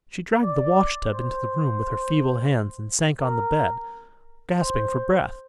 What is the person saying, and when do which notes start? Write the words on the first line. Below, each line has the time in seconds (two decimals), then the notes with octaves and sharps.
She dragged the wash tub into the room with her feeble hands and sank on the bed, gasping for breath.
0.43 D5
1.13 C5
3.20 A#4
4.59 C5